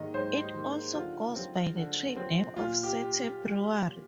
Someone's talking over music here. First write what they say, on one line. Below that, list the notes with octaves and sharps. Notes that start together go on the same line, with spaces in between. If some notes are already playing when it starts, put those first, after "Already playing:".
It also goes by the trade name of City Brewery.
Already playing: G#2 D#3 A#3 D#5
G#2 C5
D#4
D#3 A#3
D3 F4
F3 C4
D3
F3 C4
A#2 F4
G4